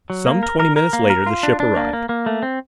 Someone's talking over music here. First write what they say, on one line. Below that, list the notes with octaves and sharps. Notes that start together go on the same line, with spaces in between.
Some twenty minutes later the ship arrived.
F#3
A#3
A#4
A#4
A#4
A#3
A#4
F4
D4
D4
A#3
A#3
A#3
A3
C4